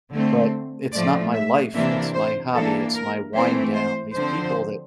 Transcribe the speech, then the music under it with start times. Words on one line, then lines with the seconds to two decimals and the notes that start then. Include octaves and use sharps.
but it's not my life, it's my hobby, it's my wind-down these people that
0.12 D3 A3 C4
0.93 A2 F3 A3 D5
1.33 E5
1.73 C3 E3 A#3 D4 E5
2.13 C5
2.53 E3 A#3 D4 A4
2.94 A#4
3.34 E3 A3 C4 C5
3.74 C5
4.15 D3 F3 C4 C5